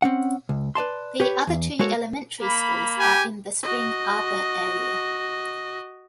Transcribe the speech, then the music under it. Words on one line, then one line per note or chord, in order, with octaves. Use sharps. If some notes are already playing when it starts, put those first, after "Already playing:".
The other two elementary schools are in the Spring Arbor area.
C4 C#4 F#5
C#2
B4 D5 A5 C6
G4 B4 C#5
E2
G#3 A#3 F#4 A4 C#5
A#3 B5
G4 G#5
F#4 D#5